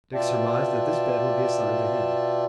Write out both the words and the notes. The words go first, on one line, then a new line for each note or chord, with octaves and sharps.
Dick surmised that this bed would be assigned to him.
B2 F4 D5 E5 G5 A5